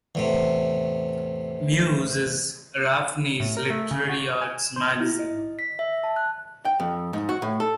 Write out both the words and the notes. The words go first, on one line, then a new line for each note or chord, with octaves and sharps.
"Muse" is Arapahoe's literary arts magazine.
E2 A2 C3
A2
A#4
A3
C#3
F#4
G#5
E7
C5
E4
D#5
B6
E5
A5
F#6
G5
F2
G#2
F#4
A2
A4